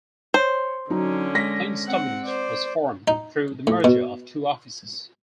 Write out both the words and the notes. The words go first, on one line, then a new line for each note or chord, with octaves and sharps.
KlingStubbins was formed through the merger of two offices.
C5 C#5
D3 F#3 C#4 D#4
G#3 A#6 B6
C4 F#5
C5 D5
D#4
A2
B2